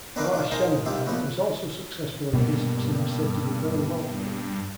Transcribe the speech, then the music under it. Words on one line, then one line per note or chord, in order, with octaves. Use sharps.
R. Chananel was also successful in business and was said to be very wealthy.
C4 D4 D#4 A#4 B4 F5
D4 D#4 F4
D#4 G#4 A#4 C5 D#5 F5
C2 C3 D#4 F4 G4 E5
A#2 F3 B3 E4 F#4
G2 B2 A#3